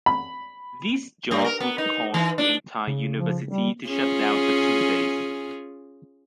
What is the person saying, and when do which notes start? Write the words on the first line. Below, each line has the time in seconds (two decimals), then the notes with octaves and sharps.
This job will cause the entire university to shut down for two days.
0.06 B5
1.31 G2
1.44 A#4
1.60 B3
1.78 D#4
2.14 E3
2.38 D4
2.87 C#3
3.17 F3
3.49 G3
3.88 C#4 F4 G#4